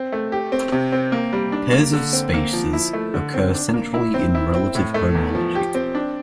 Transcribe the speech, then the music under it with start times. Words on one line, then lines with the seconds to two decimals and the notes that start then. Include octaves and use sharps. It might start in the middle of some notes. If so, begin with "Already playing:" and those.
Pairs of spaces occur centrally in relative homology.
Already playing: C4
0.12 A3
0.32 G4
0.52 C4
0.72 C3
0.92 C4
1.12 A#3
1.33 G3
1.52 D4
1.73 A#3
1.93 D3
2.13 C4
2.34 A#3
2.53 F3
2.73 E4
2.93 A3
3.14 D3
3.34 C4
3.54 D4
3.74 A#3
3.94 E4
4.14 C4
4.35 E4
4.54 C4
4.75 A2
4.94 A3
5.15 E2
5.35 F3
5.55 G4
5.75 C4
5.95 D4